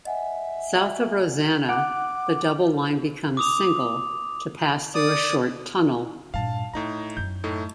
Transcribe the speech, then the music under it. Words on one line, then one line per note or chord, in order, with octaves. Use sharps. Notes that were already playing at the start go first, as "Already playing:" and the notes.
South of Rosanna, the double line becomes single, to pass through a short tunnel.
D#5 E5 F#5 G#5
F#5 D6 D7
D6 D#6 F7
D5 D#6
G2 A#2 F5 A5
A2 D3 D#4 A#5
F#2 G6
A2 A3 D#4